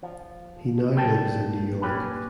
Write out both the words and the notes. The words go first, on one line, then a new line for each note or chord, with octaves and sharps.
He now lives in New York.
F3
F#2 A#2 G3 D#4 G5 A5
A#2 C#4 G4 B4